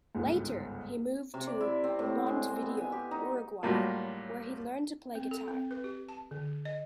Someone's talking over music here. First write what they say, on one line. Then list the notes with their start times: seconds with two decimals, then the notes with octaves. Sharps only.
Later he moved to Montevideo, Uruguay, where he learned to play guitar.
0.15 G1 C#2 G#2
1.34 C3
1.47 D5
1.61 E4
1.84 C4
1.99 A2
2.26 G#3
2.48 C4
2.62 B3
2.77 G#5
2.92 G4
3.11 D#4
3.63 A2 F#3 G3 A#3 F4
5.15 C4
5.31 A4
5.48 C4
5.71 B4
5.84 G4
6.09 A5
6.31 D3
6.65 D#5